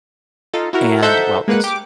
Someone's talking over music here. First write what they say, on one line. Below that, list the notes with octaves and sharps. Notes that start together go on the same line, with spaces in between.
And, well, it's
D#4 F4 A4
E4 F#4 A#4
D#4 A4 C5 E5 F#5 G6
G#3 A#3 B4 F#5
G4 D6